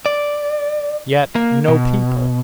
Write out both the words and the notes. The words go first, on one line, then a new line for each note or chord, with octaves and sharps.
Yet no people.
D5
A#3
B2